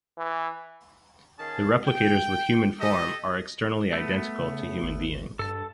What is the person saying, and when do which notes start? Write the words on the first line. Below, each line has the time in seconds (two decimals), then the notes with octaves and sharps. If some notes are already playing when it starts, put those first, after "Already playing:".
The replicators with human form are externally identical to human beings.
0.18 E3
1.39 D#3 C#4 G#4 F5 A5
1.86 G5
2.80 G4 A4 D#5
3.93 A3 B3
4.39 C#3
4.83 G#1
5.39 G2 A4 A5